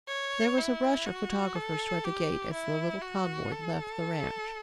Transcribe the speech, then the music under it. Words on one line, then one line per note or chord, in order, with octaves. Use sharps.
There was a rush of photographers towards the gate as the little convoy left the ranch.
C#5
E4
F#4
A4
G4
E4
F#4
A4